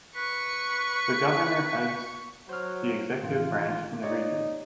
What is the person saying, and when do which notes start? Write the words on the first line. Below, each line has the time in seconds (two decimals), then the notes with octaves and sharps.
The governor heads the executive branch in the region.
0.15 B4 C#6
2.49 F#3 C5 F6
3.23 A1 D#3 F4
4.03 D#4 G4 C#5 D5